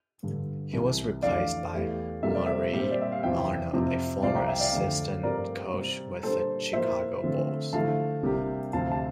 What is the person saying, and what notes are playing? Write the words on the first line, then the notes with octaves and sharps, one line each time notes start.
He was replaced by Murray Arnold, a former assistant coach with the Chicago Bulls.
G2 D3 G3 D4
C2 C3 E3
F2 E3 A3 D4 D5 F5
E2 E3 A3 E4 G4
C3 G3 A#3 F4 A4 E5
D5
C5 E5
A#2 G3 C4 G4
C5
D5
E5
F5
E2 C3 F3 C4 E4 E5 G5
F2 C3 F3 C4 F4
C2 C3 F3 C4 D5 F5
G5 A#5
E5 G5
D5 F5
F2 D3 A3 C4
G2 F3 A3 C4 G4 A#4 D5
C3 G3 C4
A#2 G3 D4 A4 C5
A#2 F3 A#3 E4 C5 E5
D3 F3 A3 C4 F4
D3 F3 A3 E4 F5 A5
C3 G3 A#3 D4 G4
D2 C3 F3 C4 F5 A5
A5